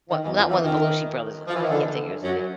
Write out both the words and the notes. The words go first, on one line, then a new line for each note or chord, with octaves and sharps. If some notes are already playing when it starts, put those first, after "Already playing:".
what not one of the Belushi brothers, uh, I can't think of his name.
D#3
E2 E3
F2 F3
E2 E3
D#3
F3
E3
D#3
D3
F#2 F#3